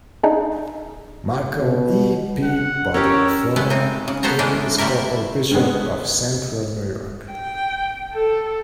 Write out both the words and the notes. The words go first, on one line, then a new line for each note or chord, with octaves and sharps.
Malcolm E. Peabody, former Episcopal Bishop of Central New York.
D4 D#4 G#4
B2
F#5
C#4 G4 A#4 C#5 E6
G#3 A3 B3 E4
C4 D#4
C#3
B3 A4 C5 C#5 A#5
D3 E3 G#3 A3 C#4 D4
G3 A3 A#3 E4 A#4
G2 D3 G#3 B3
G5
A4